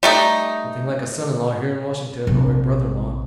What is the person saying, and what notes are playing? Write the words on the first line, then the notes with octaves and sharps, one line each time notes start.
Nothing like a son-in-law here in Washington or a brother-in-law. . . .
G3 A3 D#4
A#1 C3